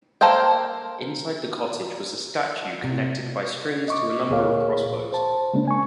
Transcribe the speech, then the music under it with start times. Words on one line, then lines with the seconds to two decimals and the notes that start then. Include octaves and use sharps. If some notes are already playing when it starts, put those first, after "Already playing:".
Inside the cottage was a statue, connected by strings to a number of crossbows.
0.21 A#3 A4 C5 F5 G5
2.84 C3
3.88 D#5 C#6 D6
4.30 D2 A#2 G#4 A#4 C#5 F5
5.13 C5 A5
5.54 C#3 G#3 A#3 C#4 D4
5.68 G#5 C#6